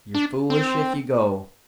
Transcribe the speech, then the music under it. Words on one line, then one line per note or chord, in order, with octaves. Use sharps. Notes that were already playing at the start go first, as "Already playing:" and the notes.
You're foolish if you go!
D4
C4